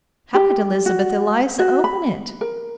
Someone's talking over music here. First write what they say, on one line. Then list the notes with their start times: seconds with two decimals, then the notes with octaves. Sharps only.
How could Elizabeth Eliza open it?
0.34 G4
0.86 F#4
1.59 F#4
1.84 B5
2.41 A#4